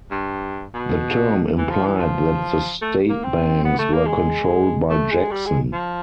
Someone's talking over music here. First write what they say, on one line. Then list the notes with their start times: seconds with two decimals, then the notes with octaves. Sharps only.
The term implied that the state banks were controlled by Jackson.
0.11 G2
0.74 B2
1.58 E3
1.70 F3
1.85 E3
1.99 F3
2.82 A3
3.09 A#3
3.24 C4
3.65 B3
3.79 A3
3.93 A#3
4.06 G#3
4.89 A3
5.11 G#3
5.31 G3
5.46 G#3
5.73 F3